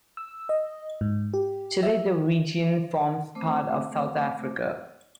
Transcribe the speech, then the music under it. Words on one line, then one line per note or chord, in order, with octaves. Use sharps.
Today the region forms part of South Africa.
E6
D#5
G#2
G4
E5
A3 C4 C5 D6